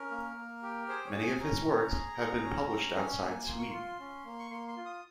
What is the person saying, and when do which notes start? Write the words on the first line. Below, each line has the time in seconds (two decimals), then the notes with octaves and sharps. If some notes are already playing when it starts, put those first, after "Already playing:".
Many of his works have been published outside Sweden.
Already playing: C#4 A#4
0.11 A#3
0.37 A#3
0.62 G4
0.89 G#4 C5
1.06 C#5
1.14 G#4
1.23 G#5
1.40 C#4 A#5
1.66 C#4
1.91 G#4
2.18 G#4
2.44 C#4
2.70 C#4
2.95 C#4 G#5
3.21 A#3
3.47 A#3 C6
3.59 C#6
3.70 F4 C6
4.00 C#4
4.25 A#3
4.39 C#6
4.51 A#3 C6
4.68 C6
4.77 F4
4.86 D#6